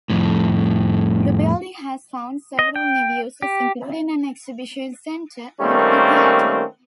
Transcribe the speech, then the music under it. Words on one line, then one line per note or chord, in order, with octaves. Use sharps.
The building has found several new uses, including an exhibition centre and a theater.
F2 A2
D#5
G5
G4
D#3 G3 A3 A#3 C4 C#4